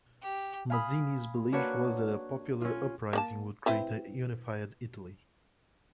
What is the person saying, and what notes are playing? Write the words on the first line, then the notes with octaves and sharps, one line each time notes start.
Mazzini's belief was that a popular uprising would create a unified Italy.
G4
F5 G#5 B5 D#6
A#3 D4 F#4 B4 C#5 F#5
C#4 F4
A#3 D5 A5
C4 E4 B4